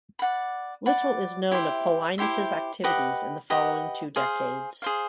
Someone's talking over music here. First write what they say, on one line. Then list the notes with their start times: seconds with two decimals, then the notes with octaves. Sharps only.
Little is known of Paulinus' activities in the following two decades.
0.19 D5 F#5 B5
0.86 D5 F#5 B5
1.51 E4 G4 C5 E5
2.18 E4 G4 C5 E5
2.84 G4 B4 D#5 F#5
3.50 G4 B4 D#5 F#5
4.16 G#4 C5 F5
4.82 G#4 C5 F5